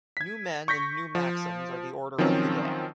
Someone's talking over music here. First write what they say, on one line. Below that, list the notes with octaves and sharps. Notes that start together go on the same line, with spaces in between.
New men and new maxims are the order of the day.
G#6 B6
C#6 G6 A#6 B6
F3
D#3 F3 F#3 C4 C#4